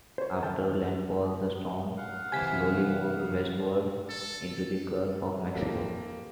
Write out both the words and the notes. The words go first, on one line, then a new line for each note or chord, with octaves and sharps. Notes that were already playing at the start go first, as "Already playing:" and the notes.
After landfall, the storm slowly moved westward into the Gulf of Mexico.
C5 C#5
D#2 D#3 G5 A5
E2
F5 F#5
C3 E3 G#5 B6
A4
A#3 G4 A4